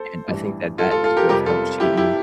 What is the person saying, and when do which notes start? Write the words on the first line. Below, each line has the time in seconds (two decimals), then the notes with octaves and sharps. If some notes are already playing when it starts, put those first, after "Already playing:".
and I think that that sort of helped shape me in
Already playing: A4 C5
0.28 A1 G2 E3 G3
0.78 F4 A4
0.91 F4 A4
1.04 F4 A4
1.17 G4 A#4
1.29 F2 C3 G3 G4 A#4
1.46 F4 A4
1.80 E4 G4
1.97 E4 G4